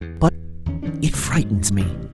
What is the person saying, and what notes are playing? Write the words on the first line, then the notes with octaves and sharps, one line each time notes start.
But--... it frightens me.
E2
E2 D#3 C#4
D#3 F3 C#4 D4
F1 C#2 F#2 C3
G#2 F#3 G#3
A1 G2 C3